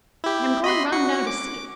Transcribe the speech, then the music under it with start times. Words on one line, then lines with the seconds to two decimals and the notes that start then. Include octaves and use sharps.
I am going round now to see it.
0.24 E4 G4
0.64 D#5 B5 C6
0.92 F#4 C#7
1.27 D6